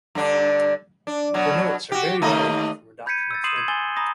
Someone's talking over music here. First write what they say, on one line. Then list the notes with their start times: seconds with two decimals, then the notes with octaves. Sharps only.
The notes are very valuable from a doctrinal standpoint.
0.15 G2 D3 D4
1.07 D4
1.34 B2 F#3 D4
1.92 F#4 G4
2.22 D#2 A3 D#5
3.06 B5 G6 G#6 B6 C#7 D#7
3.31 E6 A6
3.44 C6 D#6 C7 D#7 E7 F#7
3.56 G#6 F#7
3.68 G#5 C6 E6 A6 G7
3.96 A#5 B5 D#6 A#6